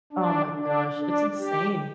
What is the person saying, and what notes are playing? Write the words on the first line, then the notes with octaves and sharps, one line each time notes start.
Oh my gosh. It's insane.
D4
D4
D4
G4